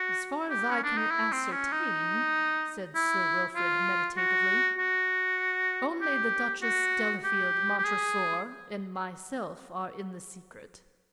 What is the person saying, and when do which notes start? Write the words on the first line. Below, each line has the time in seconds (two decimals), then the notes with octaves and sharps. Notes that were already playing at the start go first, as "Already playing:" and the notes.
"As far as I can ascertain," said Sir Wilfrid, meditatively, "only the Duchess, Delafield, Montresor, and myself are in the secret."
Already playing: F#4
0.50 G4
0.71 C#4
0.84 D4
0.97 D#4
1.11 E4
1.32 C4
1.52 C#4
1.72 D#4
2.95 E4
3.55 F4
4.17 F#4
4.78 F#4
6.01 G4
6.62 F#4
7.24 G4
7.78 G4
7.85 G#4